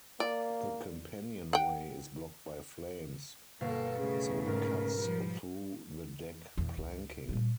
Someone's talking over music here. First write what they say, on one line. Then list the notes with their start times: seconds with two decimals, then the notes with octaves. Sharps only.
The companionway is blocked by flames, so he cuts through the deck planking.
0.20 A#3 D5
1.53 F#5 G5
3.61 G1 B2 A#3 A4 F5
3.98 C#3 A3 G#4
4.46 G#2 A#4 F6
4.97 F3 G3
6.57 E2 B2
6.77 C#2
7.29 A#2 G3